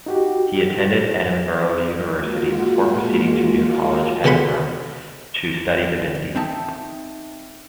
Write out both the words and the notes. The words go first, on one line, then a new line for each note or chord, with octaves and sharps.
He attended Edinburgh University, before proceeding to New College, Edinburgh to study divinity.
D#4 F#4 G4
G#3 A#3 F4 F#4
B2 D3 G#4 F#5 B5 C6
C4 D#4 E5 A5